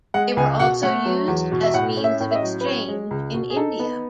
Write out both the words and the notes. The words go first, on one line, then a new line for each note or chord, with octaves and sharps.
They were also used as means of exchange in India.
G#3 F#5
C#2 G#5
B2 F#5
A3 F#5
F#3
E2
B2
E5
A2 F#5
C#4
E5
A2
E5
D#5
F#3
B4
C#4 C#5
G#3
C#2
B2
G#4
D#4 A4
B3